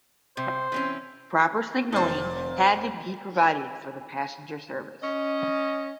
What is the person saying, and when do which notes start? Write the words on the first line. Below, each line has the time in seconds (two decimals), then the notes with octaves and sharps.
Proper signalling had to be provided for the passenger service.
0.37 C3 C5
0.72 E3 C4 C#4
1.92 F1 A#2 C4 D#4 C5
5.03 C#4 D#5